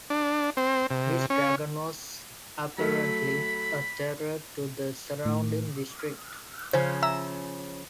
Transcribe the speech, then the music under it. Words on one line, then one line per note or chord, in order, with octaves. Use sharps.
This dragon was apparently a terror to the surrounding district.
D4
C4
C3
C#4
F#3 A3 B5
A2
C#3 F3 C#4 C5
E5 A#5 E6